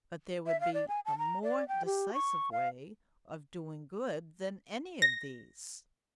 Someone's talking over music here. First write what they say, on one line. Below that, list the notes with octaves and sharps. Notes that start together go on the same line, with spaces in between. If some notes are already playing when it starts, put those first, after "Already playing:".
But there would be a more decisive way of doing good than any of these.
E5
F5
D5
G#5
A5
A#5
D5
G5
G4
C#6
F5
A#6